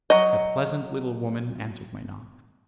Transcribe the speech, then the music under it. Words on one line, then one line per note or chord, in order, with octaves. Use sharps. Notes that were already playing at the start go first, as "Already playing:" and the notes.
A pleasant little woman answered my knock.
F#3 D#5